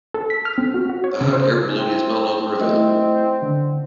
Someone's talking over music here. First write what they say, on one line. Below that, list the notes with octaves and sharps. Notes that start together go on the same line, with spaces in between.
The hot air balloon is no longer available.
A4
B6
F6
C4
F#4
F#4
C#5
C#3
C5
C4 E4
A3 E4 D#5
D3